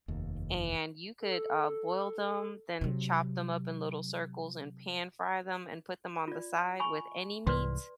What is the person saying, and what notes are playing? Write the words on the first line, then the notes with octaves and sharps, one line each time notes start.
and you could, uh, boil them, then chop them up in little circles and pan-fry them and put them on the side with any meat,
F1 D#2
A4
C3 F#3
F4 D5
G#5 B5 C#6
C2 G#2 E3 B4 D5 C6